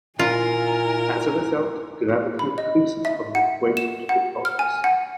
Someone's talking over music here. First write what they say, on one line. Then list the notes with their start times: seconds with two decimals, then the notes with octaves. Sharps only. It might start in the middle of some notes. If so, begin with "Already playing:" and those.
As a result, gravity increases from the equator to the poles.
0.19 A#2 E4 F4 A#4 G#5
2.39 B5
2.58 D#5
3.05 E5
3.35 F#5
3.77 E7
4.09 F#5
4.45 F6
4.59 G#5
4.84 F#5